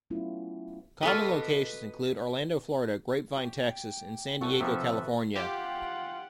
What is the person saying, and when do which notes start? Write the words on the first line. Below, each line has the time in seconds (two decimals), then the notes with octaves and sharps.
Common locations include Orlando, Florida; Grapevine, Texas; and San Diego, California.
0.10 F#3 A3 B3 C#4 E4 F4
1.03 F4 F#4 A4 B4 D5 D#5
3.37 G4
4.41 C2 A3 F#4 A4
4.60 C3 F3 B4 E5
5.36 F4 G4 F#5 G5